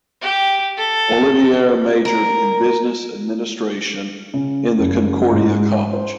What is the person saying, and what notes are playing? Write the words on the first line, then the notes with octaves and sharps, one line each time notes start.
Ollivierre majored in Business Administration in the Concordia College.
G4
A4
A#4
C#3
F#1
G#2
C5